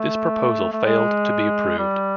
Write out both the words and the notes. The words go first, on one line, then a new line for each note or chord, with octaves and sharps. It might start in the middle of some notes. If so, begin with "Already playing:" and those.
This proposal failed to be approved.
Already playing: A3
A3
G#3
G3